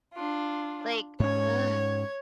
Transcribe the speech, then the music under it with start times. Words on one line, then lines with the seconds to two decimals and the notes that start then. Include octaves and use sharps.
Like, ugh!
0.13 D4 F4
1.20 G#2 C#4 C#5 G#6